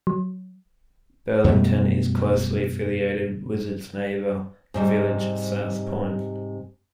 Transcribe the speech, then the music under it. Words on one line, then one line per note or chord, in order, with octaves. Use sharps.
Burlington is closely affiliated with its neighbor, the village of South Point.
F#3
F#2 B2 G3 A3
G#2 C3 G3